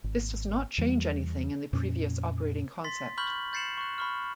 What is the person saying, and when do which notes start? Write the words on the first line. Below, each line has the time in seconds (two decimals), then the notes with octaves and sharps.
This does not change anything in the previous operating concept.
0.04 G#1
0.78 E2 E3 F#3 G3
1.73 F2 A#2 C#4
2.84 C6 A6 B6
3.18 B5 C#6 F6 G6 F#7
3.53 G6 A6 C7 C#7 E7 F#7
3.77 C#6 F#6
3.98 B5 C#6 F6